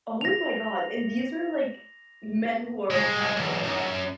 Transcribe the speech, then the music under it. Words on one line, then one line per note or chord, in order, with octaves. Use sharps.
Oh my god, and these are, like, men who are attracted to men.
A#6 F7
C2 G#3
B1 E2
F#2